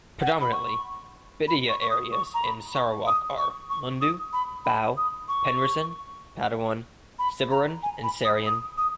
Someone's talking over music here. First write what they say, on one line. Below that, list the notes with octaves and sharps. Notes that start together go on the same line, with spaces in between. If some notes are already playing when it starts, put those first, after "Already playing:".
Predominantly Bidayuh areas in Sarawak are: Lundu, Bau, Penrissen, Padawan, Siburan and Serian.
F#5
B5
C#6
B5
C#6
C#6
D#6
C#6
A#5
B5
C#6
D#6
C#6
C#6
D#6
B5
B5
D#6
C#6
B5
A#5
G#5
B5
D#6
D#6
D#6